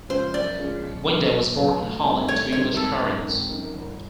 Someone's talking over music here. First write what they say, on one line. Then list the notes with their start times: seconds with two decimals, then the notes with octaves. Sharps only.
Winde was born in Holland to English parents.
0.09 C#3 F3 G#3 C#4 C5
0.34 F#2 D5
0.58 C#3 F3 G#3 C#4
0.83 B1
1.07 B2 F#3 B3
1.30 B1
1.55 B2 F#3 B3
1.79 D2
2.03 C3 D#3 G3 C4
2.28 D2 C#5
2.52 C3 D#3 G3 C4 C#5
2.76 G#1 A4
3.00 F#2 D#3
3.25 G#1
3.49 F#2 D#3
3.74 G1